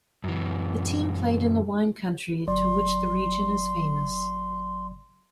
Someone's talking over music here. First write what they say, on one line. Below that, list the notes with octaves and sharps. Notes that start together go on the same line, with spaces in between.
The team played in the wine country to which the region is famous.
F#2 E3
G1 F#3 D5 C6